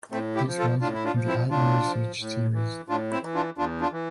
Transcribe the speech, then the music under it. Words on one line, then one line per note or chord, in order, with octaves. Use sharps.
This was in the "Eye on Research" series.
A2 A3 C4
E4 G4
F3
F4 A4
A2 D4 F4
E4
D4 F4
F3
C4 E4
A2 D4 F4
F3
A2
E3
A2 D4 F4
C4 E4
E3
D4 F4
E2 D4 F4
D4 F4
E3